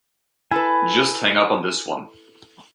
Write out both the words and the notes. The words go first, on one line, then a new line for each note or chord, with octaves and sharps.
Just hang up on this one.
E4 A4 B4 G#5